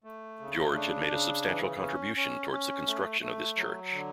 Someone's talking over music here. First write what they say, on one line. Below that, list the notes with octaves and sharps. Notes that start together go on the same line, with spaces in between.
George had made a substantial contribution towards the construction of this church.
A3
C#3
D4
C#3
E3
C#4
C#4
C#4
A3
A3
F#3
D3